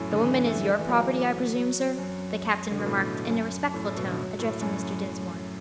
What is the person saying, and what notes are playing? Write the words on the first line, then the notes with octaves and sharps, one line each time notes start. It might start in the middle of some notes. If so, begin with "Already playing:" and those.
"The woman is your property, I presume, sir?" the captain remarked in a respectful tone, addressing Mr. Dinsmore.
Already playing: F#2 A2
D3
E3
A3
A3
E3
F#3
F#3
F#2
D3
B2
A2
F#2
A2
A2
B2
D3
F#3
A2
F#2